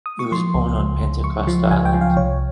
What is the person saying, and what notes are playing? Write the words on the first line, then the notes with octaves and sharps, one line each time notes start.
He was born on Pentecost Island.
D#6
C#6
F3 C6
C#2
C#2
C#2
C#2 C#6
F3
C#2 G#5
G5
F3
F5
C2 C#5